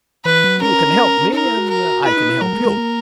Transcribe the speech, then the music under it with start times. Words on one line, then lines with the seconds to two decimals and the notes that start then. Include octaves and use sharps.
You can help me and I can help you.
0.25 E3 B4
0.44 F#3
0.61 C#4 A#4
1.21 C#4
1.33 D#4 A#4
1.45 E4
1.57 F#4
1.70 A#4
2.05 E4 B4
2.17 D#4
2.29 E4
2.41 F#3 A#4
2.53 G#3
2.65 G#3
2.77 A#3